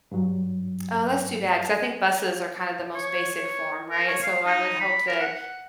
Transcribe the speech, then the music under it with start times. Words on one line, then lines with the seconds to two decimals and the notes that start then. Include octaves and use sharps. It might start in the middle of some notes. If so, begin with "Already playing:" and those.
Oh, that's too bad 'cause I think buses are kind of the most basic form, right? So I would hope that
0.12 G2 F#3
2.94 C#5
3.36 C#5
3.90 A#4
4.08 C#5
4.23 F5
4.46 D#4
4.80 B5
5.07 A#4
5.19 F#5